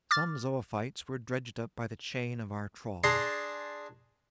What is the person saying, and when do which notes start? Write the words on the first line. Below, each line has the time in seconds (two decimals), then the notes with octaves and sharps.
Some zoophytes were dredged up by the chain of our trawl.
0.11 D6 F6 A6
3.04 D4 G#4 A5 A#5 C6